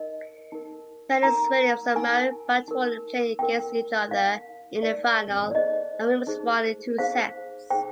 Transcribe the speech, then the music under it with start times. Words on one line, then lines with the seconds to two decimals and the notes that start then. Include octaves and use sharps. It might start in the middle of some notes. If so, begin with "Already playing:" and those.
Venus Williams and Marion Bartoli played against each other in the final, and Williams won in two sets.
Already playing: D#4 A#4 D#5
0.52 D#4 A#4
1.23 D#4 A#4 A#5
1.95 D#4 A#4 G#5
2.68 D#4 A#4
3.39 D#4 A#4 G5
4.11 D#4 A#4 F5
4.83 D#4 A#4 D5
5.51 D5
5.55 D#4 G#4 C5 D#5
6.27 D#4 G#4 C5
6.98 D#4 G#4 C5 F5
7.70 D#4 G#4 C5 G5